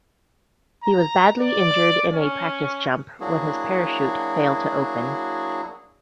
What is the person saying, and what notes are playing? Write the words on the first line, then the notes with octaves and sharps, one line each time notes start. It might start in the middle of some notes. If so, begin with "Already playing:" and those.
He was badly injured in a practice jump when his parachute failed to open.
A#5
D5
C#4
F#3 A#3 D4 E4 F#4 G#4